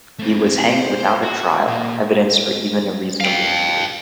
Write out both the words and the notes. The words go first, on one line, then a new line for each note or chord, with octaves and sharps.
He was hanged without a trial, evidence or even a reasonable theory.
A3 C4
C5
F#4
A#2 A#3
F5 G5